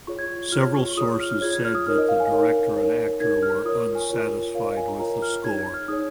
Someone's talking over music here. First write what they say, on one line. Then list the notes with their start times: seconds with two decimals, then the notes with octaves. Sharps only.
Several sources said that the director and actor were unsatisfied with the score.
0.07 F4 G#4 C#5 C#6
0.19 G#6
0.52 F4 G#4 C#5 F6
0.75 C#6
0.97 F4 G#4 C#5 D#6
1.20 F6
1.32 F6
1.41 F4 G#4 C#5 G#6
1.53 G#6
1.65 F6
1.75 D#6
1.87 D#4 A#4 C#5 F6
1.98 D#5
2.09 F5
2.20 G#5
2.32 D#4 A#4 C#5
2.76 D#4 A#4 C#5
3.20 D#4 A#4 C#5 G#6
3.43 F6
3.65 F4 A#4 C#5 D#6
3.80 C#6
3.95 G#5
4.10 F4 A#4 C#5
4.55 F4 A#4 C#5 F5
4.66 D#5
4.77 G#5
4.88 A#5
4.99 F4 A#4 C#5 A#5
5.22 F6
5.44 D#4 G#4 C#5 G#6
5.59 G#6
5.74 F6
5.88 D#4 G#4 C#5 D#6